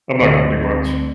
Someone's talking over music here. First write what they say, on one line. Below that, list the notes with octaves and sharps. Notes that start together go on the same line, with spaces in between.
I'm not gonna do much.
D2 D3 A3 C4 D#5
D2 D3 A3 C4